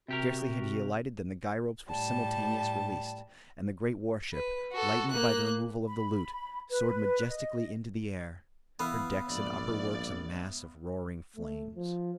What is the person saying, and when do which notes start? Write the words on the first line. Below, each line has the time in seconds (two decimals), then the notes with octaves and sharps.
Scarcely had he alighted than the guy ropes were simultaneously released, and the great warship, lightened by the removal of the loot, soared majestically into the air, her decks and upper works a mass of roaring flames.
0.08 C3 F#4 G4 A#4
1.88 A2 G3 A5
4.33 B4
4.72 F#4 A4
5.11 A#3 F#6
5.87 B5
6.70 B4
7.30 D#5
8.79 E3 B3 E5 F5 B5
9.28 A#1 G#2 D5
11.36 A3
11.76 F3